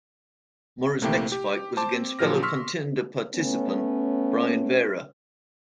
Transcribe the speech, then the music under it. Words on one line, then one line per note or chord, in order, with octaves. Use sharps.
Mora's next fight was against fellow Contender participant Brian Vera.
A#1 C3 A3 A#3 E4 G5
G4
C5 A5 D6
C4
A#2 F3 F#3 G4 F6 A#6
C6 C#6 E6 F6 B6
A3 B3 C#4